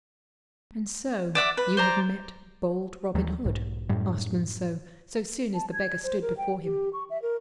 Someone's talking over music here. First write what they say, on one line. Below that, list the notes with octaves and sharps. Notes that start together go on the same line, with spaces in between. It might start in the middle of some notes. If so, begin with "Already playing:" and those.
"And so you have met bold Robin Hood?" asked Monceux, so soon as the beggar stood before him.
D5 E5 F#5 D6
B4
C5 D5 A#5
D#2 E3 F#3 G3
B1 G#2
F#2 A2 G3
A5
G#6
C5
A#4
G5
G4
C#6
E5
A#4